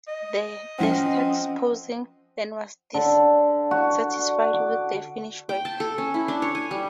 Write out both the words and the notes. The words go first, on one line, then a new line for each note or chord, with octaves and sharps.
She detested posing, and was dissatisfied with the finished work.
D#5
F3 C4 C#4 F#5
D3
F#4
D6
G5
A5
A4
C#4
E4
D4
C#5
G#5
G3